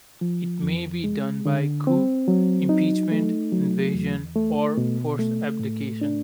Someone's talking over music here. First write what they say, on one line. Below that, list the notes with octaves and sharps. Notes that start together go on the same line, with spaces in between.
It may be done by coup, impeachment, invasion, or forced abdication.
F3
F2
G#3
D3
C4
F#3
D#4
A3
F#3
E2
A3
B2
A3
A2
D4